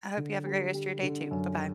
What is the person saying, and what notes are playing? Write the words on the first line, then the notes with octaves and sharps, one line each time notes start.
I hope you have a great rest of your day too, bye-bye.
D3
G3
G3
D3
F#2